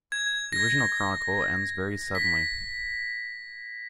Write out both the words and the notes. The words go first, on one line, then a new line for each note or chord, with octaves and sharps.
The original chronicle ends very suddenly.
G#6
A#6
B6